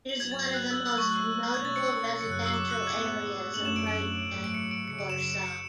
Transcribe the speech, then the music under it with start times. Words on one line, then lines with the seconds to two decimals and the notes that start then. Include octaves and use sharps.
It is one of the most notable residential areas of right-bank Warsaw.
0.09 F#7
0.20 G#2 F#3 B3 G#6
0.31 A6
0.43 G#6
0.54 F#6
0.71 E6
0.87 A2 F#3 A3 E6
0.98 C#6
1.09 F#6
1.48 F#6
1.54 B2 A3 C#4 G#6
1.65 A6
1.76 C#7
2.21 F#2 C#3 F#3 C#7
2.31 F#6
2.43 E6
2.54 D6
2.70 F#6
2.87 A2 G#3 B3 G#6
3.54 F#2 D3 A3 C#4 F#7
3.65 E7
3.76 D7
3.87 D7
4.21 G#2 F#3 A3
4.44 D7
4.54 C#7
4.71 D7
4.87 F#2 C#3 F#3 C#7
4.99 D7
5.10 E7
5.21 E7
5.32 E7
5.43 C#7